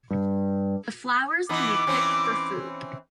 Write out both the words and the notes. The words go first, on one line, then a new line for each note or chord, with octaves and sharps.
The flowers can be picked for food.
G2
E3 B3 D#4 D6
E3 C4 C#4